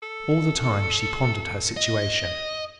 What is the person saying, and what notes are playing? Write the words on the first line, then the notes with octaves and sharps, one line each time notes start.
All the time, she pondered her situation.
A4
D#5